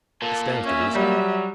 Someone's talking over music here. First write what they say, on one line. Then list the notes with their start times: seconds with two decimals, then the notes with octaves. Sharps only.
It stands to reason.
0.22 A#2 A#3 A4
0.65 C#4 E5
0.95 F#3 G3